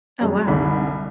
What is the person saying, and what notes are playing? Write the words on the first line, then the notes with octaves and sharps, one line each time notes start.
Oh, wow.
F#2 G#3
C2 D3 D#4 B5